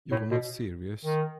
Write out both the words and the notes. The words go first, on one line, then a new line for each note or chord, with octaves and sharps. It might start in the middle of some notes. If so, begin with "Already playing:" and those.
You're not serious.
A2
B2
D#3